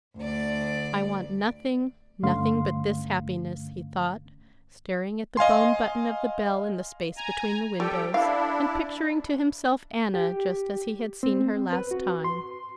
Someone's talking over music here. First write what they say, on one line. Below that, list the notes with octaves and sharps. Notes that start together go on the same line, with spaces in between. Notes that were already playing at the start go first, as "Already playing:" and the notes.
"I want nothing, nothing but this happiness," he thought, staring at the bone button of the bell in the space between the windows, and picturing to himself Anna just as he had seen her last time.
D2 D5
G2 D3 A3 C#4 F5 C6
D#5 F5 G#5 C6
G#5 A#5
G3 G4 A4 G5
D4 E4 F5
G4
C4
B4
F#4
C6